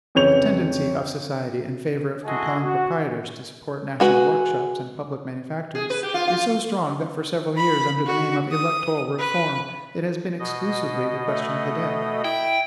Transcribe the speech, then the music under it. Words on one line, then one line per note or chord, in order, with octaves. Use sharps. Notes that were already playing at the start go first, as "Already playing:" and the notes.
The tendency of society in favor of compelling proprietors to support national workshops and public manufactories is so strong that for several years, under the name of ELECTORAL REFORM, it has been exclusively the question of the day.
F2 C#3 E3 C#5 G6 F7
G#3 E4 F#4 G#4 A4 D#5
F#4
G#3 F#4 B4
G#4
B4
G4
F4
F4
B5
F#4
D#6
B4
B2 D#5
A3
E4 G5